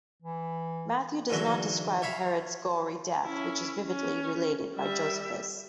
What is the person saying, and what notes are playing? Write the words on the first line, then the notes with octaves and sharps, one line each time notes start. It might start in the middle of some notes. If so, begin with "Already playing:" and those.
Matthew does not describe Herod's gory death, which is vividly related by Josephus.
E3
E2 G#2 D3 F#3
C#5 E5 F5 B5
C#4 E4
C#4
G3 E5